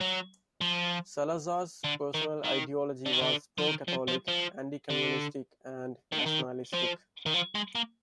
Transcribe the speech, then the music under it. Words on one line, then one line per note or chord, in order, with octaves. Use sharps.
Salazar's personal ideology was pro-Catholic, anti-communist and nationalistic.
F#3
F3
D3
D#3
D#3
D3
D#3
D3
F3
D#3
F3
F3
F3
D3
D#3
D3
D#3
F3
D#3
F3
G#3
A#3